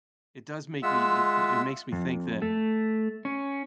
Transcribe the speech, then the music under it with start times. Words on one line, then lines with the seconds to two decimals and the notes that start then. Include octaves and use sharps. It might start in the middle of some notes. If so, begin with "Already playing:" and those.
it does make me it it makes me think that
0.83 G#3 F4 E5 F#5 E6
1.92 F2
2.42 A3
3.25 C#4